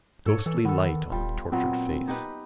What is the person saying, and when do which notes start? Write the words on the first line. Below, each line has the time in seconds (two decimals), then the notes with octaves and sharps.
Ghostly light on the tortured face.
0.26 G#2 A4 C#5
0.46 E3 A4
0.65 D#3 B3 A4
1.11 D#1 G3 F4
1.52 A#2 F#3 B3 C4
2.08 D#4 G4 B4